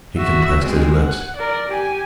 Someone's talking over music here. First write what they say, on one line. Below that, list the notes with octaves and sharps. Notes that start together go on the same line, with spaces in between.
He compressed his lips.
F#4 E5
G#3 C4
F#5
A#4 D5
G4 G#5